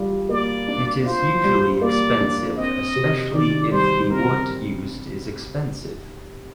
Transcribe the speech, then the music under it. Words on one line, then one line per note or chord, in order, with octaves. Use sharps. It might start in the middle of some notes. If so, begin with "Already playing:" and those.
It is usually expensive especially if the wood used is expensive.
Already playing: G3 F4
A#3 D5
D4
F4 C5
G3
A#3 D5
D4
C4 D#5
C3
D#3 D5
G3 C5
C4 A#4